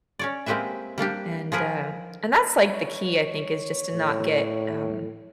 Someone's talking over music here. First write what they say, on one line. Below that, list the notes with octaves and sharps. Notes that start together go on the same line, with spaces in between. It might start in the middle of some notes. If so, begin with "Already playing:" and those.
and, uh, that's, like, the key, I think, is just to not get, um
C#4 C#5 D5
G#3 A#3 C4 G4 B4 E5
G3 A#3 D4 G4
F3 G#4 A#4 B4
C#5
A2